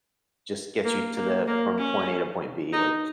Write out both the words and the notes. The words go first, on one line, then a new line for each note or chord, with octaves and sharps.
just gets you to that from point A to point B, like,
A#3
A#3
A#3
C#4
D#4